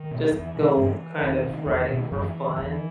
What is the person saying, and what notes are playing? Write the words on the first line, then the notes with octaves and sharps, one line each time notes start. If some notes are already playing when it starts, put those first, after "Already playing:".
just go kind of riding for fun,
Already playing: D#3
B2
E2 E3
B2
G2
E2 D#3
C3
E2
B2
F#2 E3
D#3
E2 E3